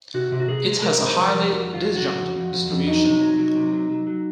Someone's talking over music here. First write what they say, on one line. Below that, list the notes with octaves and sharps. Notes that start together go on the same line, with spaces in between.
It has a highly disjunct distribution.
C3 F#4
C3
F#4
C3 G#4
G#3
G#3 A#4
C3
C5
F3
A#4
F3
F2 F#4
F2
F4
F#3
F#4
C#3
F2
F2
F2
F2
F#3 D#4
C3
F#3
F#3
C3
F#3
F#3
F#3